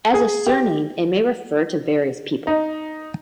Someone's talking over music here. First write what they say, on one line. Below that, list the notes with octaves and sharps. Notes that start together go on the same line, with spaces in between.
As a surname it may refer to various people.
G#4
G4
D#4